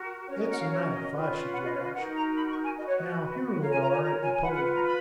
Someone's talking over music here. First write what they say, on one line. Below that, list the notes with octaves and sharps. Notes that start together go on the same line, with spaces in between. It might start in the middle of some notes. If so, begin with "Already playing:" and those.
It's enough, I should judge. Now here we are at Napoleon.
Already playing: F#4 A#4
C#4 F#4 A#4 C#5
D#5
F#5
F5
C#5
D#5
C#4 F4 B4
F#5
D#5
C#5
F5
D#5
D#4 F#4 A#4 F#5
A#5
B5
C#6
G#5
F#4 B4 D#5
C#5
D#5
F4 A#4 C#5 F5
G#5
A#5
G#5
A#5
G#5
G#5
F4 B4 F#5
F#5
F#5
A#5
B5